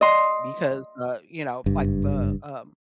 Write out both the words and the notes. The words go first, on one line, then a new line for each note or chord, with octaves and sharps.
because, uh, you know, like, the, um,
D#5 C6
F#1 G2